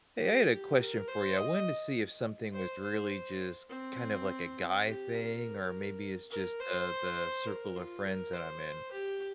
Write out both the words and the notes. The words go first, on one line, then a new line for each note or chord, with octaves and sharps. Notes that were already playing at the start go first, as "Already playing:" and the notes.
Hey, I had a question for you, I wanted to see if something was really just, kind of, like, a guy thing or maybe it's just, uh, the circle of friends that I'm in.
G4
G4
A#4
C5
D#5
C5
C5
C4
G4
A#4
A#4
C5
A#4
F4
A#4
C5
G4